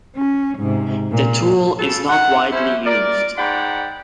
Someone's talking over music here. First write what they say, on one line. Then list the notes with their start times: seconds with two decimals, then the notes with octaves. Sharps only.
The tool is not widely used.
0.16 C#4
0.59 G#2 C3
1.11 A#2
1.78 C#3 A4
2.10 D#3 F#5
2.52 C#4 E4 C5
2.85 A#4 D5
3.36 G#2 D5 F#5 G5 B5